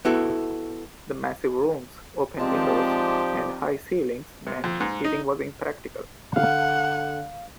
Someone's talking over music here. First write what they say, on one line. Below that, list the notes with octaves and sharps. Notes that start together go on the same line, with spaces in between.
The massive rooms, open windows and high ceilings meant heating was impractical.
B3 E4 F#4 A4
F3 G#3 C4 D#4 F4 G4 D5 A5
C3
F2
G#2
D#4
D3 F5 F#5